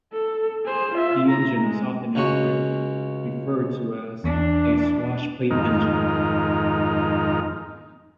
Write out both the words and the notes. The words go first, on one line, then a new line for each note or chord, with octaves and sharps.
The engine is often incorrectly referred to as a swashplate engine.
A4
G#4 C5
F4 E5
E4 A#5
G#3
C#2 C#3 F#4 C#5
E2 E3 D4
F2 G#2 D#3 D#4 A#4 F6